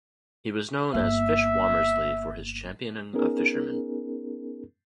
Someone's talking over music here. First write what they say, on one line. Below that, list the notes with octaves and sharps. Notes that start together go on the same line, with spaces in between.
He was known as "Fish Womersley" for his championing of fishermen.
G1 A#3 E5
B3 C#4 D#4 G#4 A#4